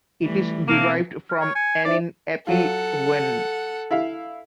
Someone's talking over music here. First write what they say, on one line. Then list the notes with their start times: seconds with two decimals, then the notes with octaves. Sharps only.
It is derived from "anin api" "when".
0.22 E3 G3 A3
0.68 B2 E3 A3 A#3 C4
1.29 F6
1.41 C#5
1.56 G#5 C#7
1.85 D#4 C5 D5 E5
2.47 F#3 F4 A4 F#5
3.91 E4 E5 F5